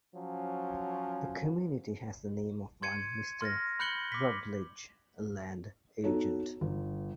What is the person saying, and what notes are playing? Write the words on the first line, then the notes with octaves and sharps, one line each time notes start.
The community has the name of one Mr. Rutledge, a land agent.
F3 F#3 C#4
C6 G#6 C#7 D#7
C6 F6 A6 A#6
B5 F#6 G6 C#7 F#7 G7
D6 B6
B3 D#4 F#4 A4 C#5
G1